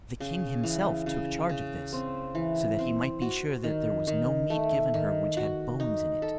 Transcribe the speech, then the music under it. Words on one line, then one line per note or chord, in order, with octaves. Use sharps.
The king himself took charge of this, so that he might be sure that there was no meat given her which had bones in it.
C#3
E3
C#3
C#3
C4
E3
C4
F#4
D#3
D#3
A3
D#3
F#4
D#4
A4